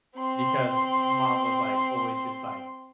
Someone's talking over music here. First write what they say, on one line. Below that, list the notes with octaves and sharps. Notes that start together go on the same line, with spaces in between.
because m mom was, like, always just, like,
C4 C6